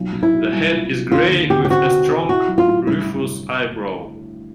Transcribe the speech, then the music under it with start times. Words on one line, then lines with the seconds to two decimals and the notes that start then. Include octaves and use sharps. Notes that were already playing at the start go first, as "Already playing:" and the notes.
The head is grey with a strong rufous eyebrow.
Already playing: B1 A#2
0.13 B1
0.23 E4
0.33 B2
0.53 C2
0.72 A#2
0.92 A#2
1.11 D#2 F4
1.31 D3
1.50 D3 G4
1.65 G4
1.70 C4 F#4
1.89 B2
2.09 C4
2.29 E4 F#4
2.48 F#3
2.58 F4
2.68 A2
2.87 G2 E4